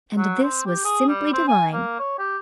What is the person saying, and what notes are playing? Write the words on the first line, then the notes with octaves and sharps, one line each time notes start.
And this was simply divine.
F#3
C4
G4
G#4
G3
C4
G#5
A#3
C#5
G4